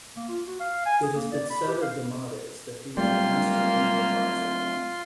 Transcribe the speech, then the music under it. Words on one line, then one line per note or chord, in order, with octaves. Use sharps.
It has been said of Demades that he was a master improviser.
A#3
F4
F#4
F5
G#5
G#4
A#3
D5
B5
G4
F5
F#3 G3 A3 A#3 C4 F4 C6